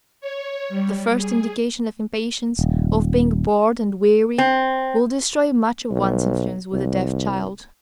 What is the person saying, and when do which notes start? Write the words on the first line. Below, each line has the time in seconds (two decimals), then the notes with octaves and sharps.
The first indication of impatience, of being bored and weary, will destroy much of one's influence with the deaf child.
0.21 C#5
0.69 G3
1.18 G#4
2.59 D#1
4.38 C4
5.91 B1
6.73 C2